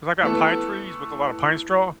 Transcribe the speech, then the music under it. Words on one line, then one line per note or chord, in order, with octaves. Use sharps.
'cause I got pine trees with a lot of pine straw
E3 A3 B3 A4